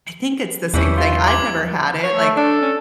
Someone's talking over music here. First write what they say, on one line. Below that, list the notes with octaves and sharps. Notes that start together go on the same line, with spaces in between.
I think it's the same thing. I've never had it, like,
E2 E3 G3 C#4
F4
D6 G#6 F#7
C#5
A3
D4 A4
C#4